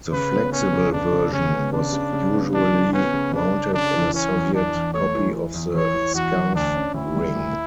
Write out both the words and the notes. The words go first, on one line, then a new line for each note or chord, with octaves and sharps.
The flexible version was usually mounted in a Soviet copy of the Scarff ring.
C#3 B4
B3
B3 C#4
C#3
C#3 D4
C#3
C#3 C#4
B3
C#3 D4
C#3
C#3
B3
E3 D4
C#3
B3 C#4
C#3
C#3 D4
C#3
C#3 D4
E3
E3 C#4
E2
E3 D4
E2
A3 C#5
E3
E3
E2
E3 C#5
E3
E2 F#4
E2
D2 D4
C#4
D2 E4
G3
D2